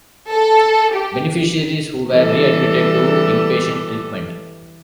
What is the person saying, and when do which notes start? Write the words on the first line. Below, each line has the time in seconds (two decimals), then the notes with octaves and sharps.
Beneficiaries who were readmitted to inpatient treatment.
0.31 A4
0.93 G4
2.11 E3 G3 A4